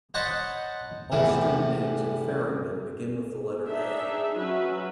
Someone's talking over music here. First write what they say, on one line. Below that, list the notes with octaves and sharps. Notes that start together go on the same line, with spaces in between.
All street names in Farringdon begin with the letter A.
C5 C#5 D#5 F#5 A5 B5
E2 A2 C3 E3
D4 D#4 G#4 E5
F#3 C#4 F#4 B4 E5